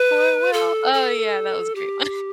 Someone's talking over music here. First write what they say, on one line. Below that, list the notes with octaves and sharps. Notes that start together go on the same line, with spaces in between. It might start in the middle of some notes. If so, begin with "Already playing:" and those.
for well. Oh, yeah, that was a great one.
Already playing: B4
A4
A4
G4